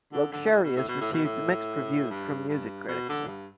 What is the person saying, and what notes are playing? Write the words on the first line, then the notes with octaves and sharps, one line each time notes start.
"Luxurious" received mixed reviews from music critics.
D3
D3
A2
B2
A2
B2
A2
B2
A2
G2
G2
B2
D3
G2